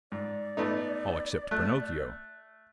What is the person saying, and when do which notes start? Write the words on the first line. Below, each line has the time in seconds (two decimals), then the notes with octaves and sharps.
All except Pinocchio.
0.12 G#2 D5
0.57 A3 B3 D#4
1.51 A3 F#6